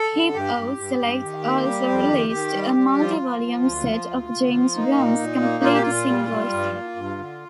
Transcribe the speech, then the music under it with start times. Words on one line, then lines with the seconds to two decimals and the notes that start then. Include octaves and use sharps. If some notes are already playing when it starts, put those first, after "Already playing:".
Hip-O Select also released a multi-volume set of James Brown's complete singles.
Already playing: A4
0.12 D3
0.34 G2 G4
0.56 G2
0.77 G2
1.00 G2
1.22 D#3
1.44 A#3
1.66 G3
1.89 F2
2.11 D#3
2.33 D#3
2.55 G3
2.76 G3
2.98 F3 F4
3.21 F3
3.43 F3
3.65 D2
3.87 F3
4.10 D2
4.31 D2
4.54 F3
4.76 A#3 D#4
4.98 A#2
5.19 A#2
5.42 A#3
5.64 A#2 F4
5.73 G4
5.82 A#2 F4
6.08 G3
6.30 G3
6.52 G2
6.74 A#3
6.96 G2
7.19 D3